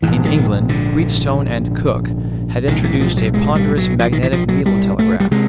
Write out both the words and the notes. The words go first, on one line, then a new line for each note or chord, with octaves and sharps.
In England, Wheatstone and Cooke had introduced a ponderous magnetic needle telegraph.
A#1 G#2 E3
D#3
D3
B1 A2 D#3
E3
F3
F#3
G#3
G3
F#3
F3
D#3
E3
F3
F#3
G3
A3
G3
C3 G#3